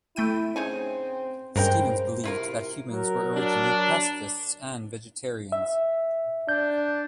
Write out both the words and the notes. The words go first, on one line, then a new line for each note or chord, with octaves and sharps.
Stevens believed that humans were originally pacifists and vegetarians.
A3 E4 G5 D#7
C#3 C4 D#4 G#5
G2 C#3 G#3 A#4 C5 G5
C3 E4 F4 A#4
F#3 A#4
D4
E5
D4 G6